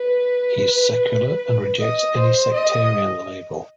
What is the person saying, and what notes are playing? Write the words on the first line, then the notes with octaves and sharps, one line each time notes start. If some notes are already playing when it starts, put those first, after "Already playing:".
He is secular and rejects any sectarian label.
Already playing: B4
D#5
C5
D#5